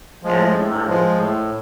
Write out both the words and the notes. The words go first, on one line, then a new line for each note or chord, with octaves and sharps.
and I
F3 G#3
A2
F3 G#3
A2